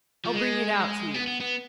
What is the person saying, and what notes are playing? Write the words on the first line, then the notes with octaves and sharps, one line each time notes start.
I'll bring it out to you.
F3
G#3
B3
B3
B3